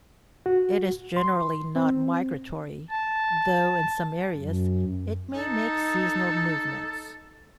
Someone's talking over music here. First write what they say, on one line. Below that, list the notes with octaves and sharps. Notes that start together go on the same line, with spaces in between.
It is generally not migratory, though in some areas it may make seasonal movements.
F#4
C6
C4
A5
F#2
D#4 A4